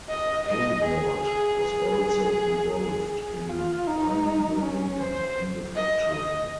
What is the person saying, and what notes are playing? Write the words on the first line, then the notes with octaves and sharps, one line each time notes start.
Hayward was also involved in mining, building and manufacturing.
D#5
D#5
G#4
G#4
G#4
G#4
G#4
F4
D#4
C#4
C5
D#5
D#5